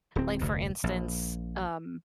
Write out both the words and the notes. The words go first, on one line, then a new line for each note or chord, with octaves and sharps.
like, for instance, um
D1 C4
F1 D2
A#1